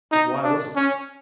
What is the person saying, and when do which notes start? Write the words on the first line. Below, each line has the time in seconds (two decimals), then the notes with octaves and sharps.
But why was it?
0.12 D#4
0.44 D4
0.76 C#4